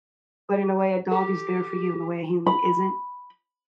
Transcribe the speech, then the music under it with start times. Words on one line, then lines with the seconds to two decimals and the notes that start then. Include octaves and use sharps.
but in a way a dog is there for you in a way a human isn't,
1.12 G4 A4
2.46 B5